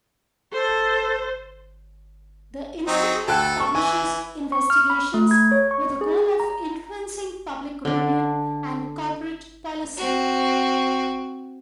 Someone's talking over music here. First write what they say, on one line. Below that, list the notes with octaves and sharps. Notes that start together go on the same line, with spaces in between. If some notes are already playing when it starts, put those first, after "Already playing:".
The Institute publishes investigations with the goal of influencing public opinion and corporate policy.
A4 C5
F#3 C4 D#4
D2 A4 G5 F#6
C#6
E3 G#5
C#6
F6
B5
A3
G#6
C#5
C#6
G#4
A#5
D3 D4
C4 F#4